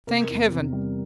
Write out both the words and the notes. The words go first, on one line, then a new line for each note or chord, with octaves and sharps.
Thank Heaven!
C3 A#4
E2
C3
G3